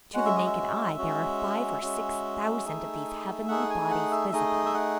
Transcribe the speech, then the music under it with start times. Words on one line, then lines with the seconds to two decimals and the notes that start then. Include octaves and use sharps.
To the naked eye there are five or six thousand of these heavenly bodies visible.
0.14 G#3 C#4 F#4 F#5
0.25 E5
0.36 D#5
0.46 E5
0.98 G#3 C#4 F#4
1.82 G#3 C#4 F#4
2.65 A3 D#4 G#4
3.48 A3 D#4 G#4 F#5
3.70 G#5
3.90 F#5
4.11 E5
4.33 A3 D#4 G#4 D#5
4.66 E5
4.74 F#5